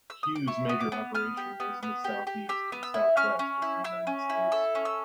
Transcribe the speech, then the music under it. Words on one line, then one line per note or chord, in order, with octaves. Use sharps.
Hughes major operation was in the Southeast and Southwest of the United States.
E6
D#6
D6
E4 C#6
B3
D6
B3
B3 F6
G4
B3
B3
G4
G4
G4 E6
B3
E6
E4
C#4 F6
C#4
E4
E4 E6
C#4
E4
A4 E6
C#4
E6